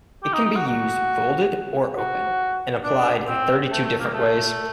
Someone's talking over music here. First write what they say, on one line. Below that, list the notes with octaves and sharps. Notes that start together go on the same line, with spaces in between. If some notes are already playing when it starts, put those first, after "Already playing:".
It can be used folded or open, and applied in thirty-two different ways.
G4
D#4
D#4
F#4
F#4
F#4
D4
C4
A3
A3
A#3
A3